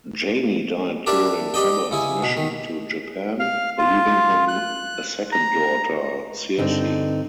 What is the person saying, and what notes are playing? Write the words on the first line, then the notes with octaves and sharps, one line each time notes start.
Janie died during Hubbard's mission to Japan, leaving him a second daughter, Searcy.
D4 G4 A#4 B4 D5 E5
G4 D5 D#5 G5
C#3 E4 G#4
B2
D#3
F5
F4
F#6
A#5
G2 D3 C4 D#4